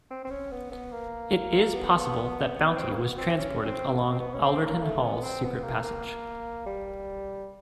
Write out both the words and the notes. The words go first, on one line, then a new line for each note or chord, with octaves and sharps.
It is possible that bounty was transported along Alderton Hall's secret passage.
C4
C4
C#4
B3
B3
A#3
B3
B3
C4
A#3
B3
C4
C#4
C4
C4
B3
C4
B3
C#4
C4
A#3
A3
B3
C4
B3
A#3
A#3
G3